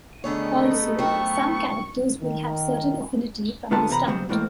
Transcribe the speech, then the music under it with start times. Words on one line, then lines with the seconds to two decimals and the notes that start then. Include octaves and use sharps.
Also, some characters will have a certain affinity from the start.
0.24 D3 A3 B3 D#4 G#4 C#5
0.99 F#3 C4 A#4 C#6
2.21 D#3
3.71 D3 A#3 B3 F4 B4 A5
3.89 E2 C3 B3 F4 A#5 B5
4.07 D#2 C#3 F#3 G3 B3 C4
4.29 E2 A2 E3 G#3 A#3 C4